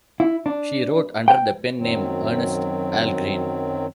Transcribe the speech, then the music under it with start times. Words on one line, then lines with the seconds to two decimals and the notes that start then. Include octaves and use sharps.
She wrote under the pen name Ernst Ahlgren.
0.20 E4
0.46 D4
1.28 G5
1.78 F#2 D#3 F#3 C4